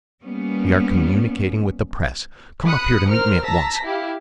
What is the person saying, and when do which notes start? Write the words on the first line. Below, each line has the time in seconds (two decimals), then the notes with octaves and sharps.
We are communicating with the Press. Come up here to me at once.
0.22 G3 A#3 B3 C#4
2.64 B5 D#6 F#6 C#7
3.08 A#4 C5 F6
3.44 A5 A#5 E6 A#6 B6
3.84 E4 G4 F5